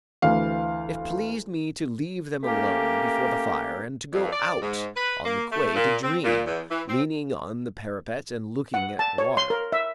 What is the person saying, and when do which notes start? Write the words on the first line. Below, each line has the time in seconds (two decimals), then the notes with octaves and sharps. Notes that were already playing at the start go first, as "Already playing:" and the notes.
It pleased me to leave them alone before the fire and to go out on the quay to dream, leaning on the parapet and looking at the water.
0.22 D2 E3 F5
2.43 A3 A#3 C#4 G4 A#4
4.13 F2
4.33 D5
4.62 G#2
4.96 B4
5.25 A#3
5.52 A3
5.75 A#2
6.03 C4
6.23 A#2
6.46 E2
6.69 E3
6.88 C4
8.74 F#5
8.99 A5
9.18 C#5
9.37 C6
9.50 A#4
9.72 E5